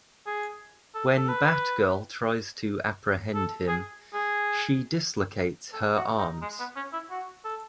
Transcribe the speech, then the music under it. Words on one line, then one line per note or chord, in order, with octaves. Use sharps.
When Batgirl tries to apprehend him, she dislocates her arms.
G#4
A4
A4
B4
A4
G#4
G#4
A4
F#4
D#4
G#3
B3
C#4
E4
F#4
A4